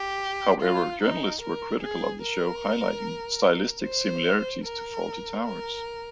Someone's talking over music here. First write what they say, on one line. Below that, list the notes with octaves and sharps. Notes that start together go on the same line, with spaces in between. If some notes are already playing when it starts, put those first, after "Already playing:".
However, journalists were critical of the show, highlighting stylistic similarities to "Fawlty Towers".
Already playing: G4
F4
D#4
A#4
G#4
A#4
C5
A#4
A#4